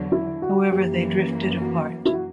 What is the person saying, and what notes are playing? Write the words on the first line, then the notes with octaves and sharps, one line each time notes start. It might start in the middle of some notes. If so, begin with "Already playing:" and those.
However, they drifted apart.
Already playing: E2 D3 F#3
E4
F#4
F#2 E3 A#3 G4
F#4
E4
F#4